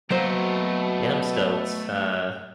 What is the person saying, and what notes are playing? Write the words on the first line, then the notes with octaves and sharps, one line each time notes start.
Yeah, I'm stoked. Uh.
B2 F#3 A3 A#3 A#4 C5